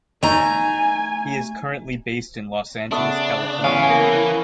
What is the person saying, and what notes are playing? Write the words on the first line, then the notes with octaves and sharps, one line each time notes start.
He is currently based in Los Angeles, California.
A3 D#4 G#5 A#5
C#3 A3 B3 D4
E3 B3 C#4 F5
A#3